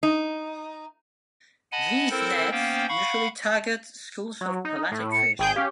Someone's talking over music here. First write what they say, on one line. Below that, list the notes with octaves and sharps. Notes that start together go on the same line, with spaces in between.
These nets usually target schools of pelagic fish.
D#4
D#5 F#5 G#5 A5 B5
C4 E4 A4 A#4 C5
A#3 B3 C#4 C5 F5 G5
F5 F#5 B5 C#6
F#3
D#4
A2
C#7
G#1 G#4 G5 G6
C#4 G4 F5